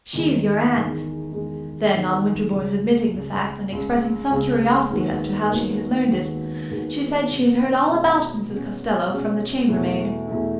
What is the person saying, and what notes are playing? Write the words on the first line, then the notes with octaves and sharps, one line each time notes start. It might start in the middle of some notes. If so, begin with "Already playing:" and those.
"She's your aunt." Then, on Winterbourne's admitting the fact and expressing some curiosity as to how she had learned it, she said she had heard all about Mrs. Costello from the chambermaid.
E2 D#3 G#3 D#4 G#4
E2 D#3 G#3 D#4 G#4
E2 D#3 G#3 D#4 G#4
E2 D#3 G#3 D#4 G#4
C#2 C#3 G#3
C#2 C#3 G#3
C#2 C#3 G#3
C#2 C#3 G#3
D#2 D#3 G#3 B3 F#4
D#2 D#3 G#3 B3 F#4
D#2 D#3 G#3 B3 F#4
D#2 D#3 G#3 B3 F#4
B2 G#3 C#4
B2 G#3 C#4
B2 G#3 C#4
B2 G#3 C#4
E2 B2 A3 E4
E2 B2 A3 E4